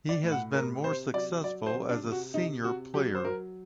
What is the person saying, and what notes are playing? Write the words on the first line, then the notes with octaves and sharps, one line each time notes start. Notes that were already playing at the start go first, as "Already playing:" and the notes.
He has been more successful as a senior player.
D5
A2
F#5
C3 A#4
C3 C5
F#3 D5
F#3 D5
C5
C3
D4
C3
F#4
C3 D#4
C3 F#4
F#3 G4
C5
F#3 A#4